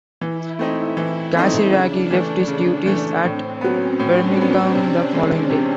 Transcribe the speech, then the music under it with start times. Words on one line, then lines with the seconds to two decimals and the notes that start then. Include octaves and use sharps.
Casiraghi left his duties at Birmingham the following day.
0.21 E3 E4
0.59 A3 C4 D#4
0.97 E3
1.35 A3 C4 D#4
1.72 C#3 D4
2.11 E3 A3
2.48 C#3
2.86 E3 A3
3.23 A2 C4
3.61 F#3 B3 C#4
3.99 A2 D4
4.37 F#3 B3
4.75 C3
5.13 E3 G#3
5.50 C3